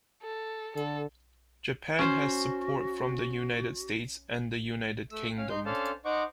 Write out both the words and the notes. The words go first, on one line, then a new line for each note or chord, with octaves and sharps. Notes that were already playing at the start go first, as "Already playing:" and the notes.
Japan has support from the United States and the United Kingdom.
A4
D3 A4
C#4 F#4 C5
A3 E6
C#4 F5
D#4 C6 G6
C#4 D4 A4 C5 F5 A5
D#4 C5 D#5 F#5 C#6 D6